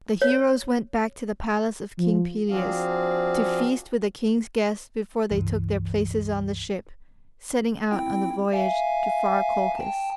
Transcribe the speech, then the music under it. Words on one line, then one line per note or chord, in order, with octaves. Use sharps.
The heroes went back to the palace of King Pelias to feast with the king's guests before they took their places on the ship, setting out on the voyage to far Colchis.
C#5
F3
F3 C4 D4 F#4 G#4 F5
C#2 G2 E3
C4 E4 G5
E5 F5 G#5
G5 A5